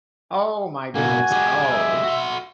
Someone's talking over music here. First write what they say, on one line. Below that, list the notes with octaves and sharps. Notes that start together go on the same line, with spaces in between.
Oh my goodness. Oh.
B2 A#3 F#4 G#5
G#3 G4
E5
F#4 C6